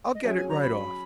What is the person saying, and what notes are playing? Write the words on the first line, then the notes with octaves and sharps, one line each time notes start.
I'll get it right off.
D#5
F#3 C#4 G#4 E5
G#5
A#5
B5